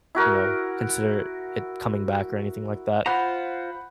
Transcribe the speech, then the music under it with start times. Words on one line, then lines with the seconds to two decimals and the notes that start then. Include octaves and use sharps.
you know, consider it it coming back or anything like that.
0.15 E4 F#4 A#4
3.06 F4 C5 F#5 A#5 B5